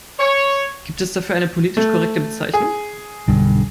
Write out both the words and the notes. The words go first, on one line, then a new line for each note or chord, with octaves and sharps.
Gibt es dafür eine politisch korrekte Bezeichnung?
C#5
A3
G#4
B1 G2 D3